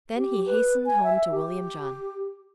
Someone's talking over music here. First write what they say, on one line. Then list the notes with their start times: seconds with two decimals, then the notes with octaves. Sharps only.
Then he hastened home to William John.
0.16 G4
0.46 B4
0.86 G#5
1.03 E5
1.32 G4